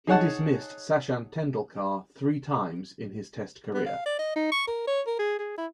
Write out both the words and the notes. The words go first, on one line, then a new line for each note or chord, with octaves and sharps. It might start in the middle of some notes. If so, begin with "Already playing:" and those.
He dismissed Sachin Tendulkar three times in his Test career.
D#4 G#4 C#5 F#5 A5
B3
F5
D5
D#5
D#4
C#6
A#4
C#5
A#4
G#4
G#4
E4